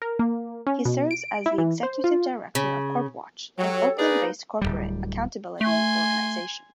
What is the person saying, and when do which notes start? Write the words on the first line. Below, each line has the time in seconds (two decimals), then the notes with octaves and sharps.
He serves as the executive director of CorpWatch, an Oakland-based corporate accountability organisation.
0.02 A#4
0.19 A#3
0.67 C#4
0.85 B2
1.11 D7
1.46 E4
1.58 E3
1.83 C5
2.04 F4
2.55 C#3
3.59 F#3 G4 A4 C#5
3.97 A#3 D#4 G#4 B4 D5
4.62 D1 B1 G3
5.61 A3 G#5 C6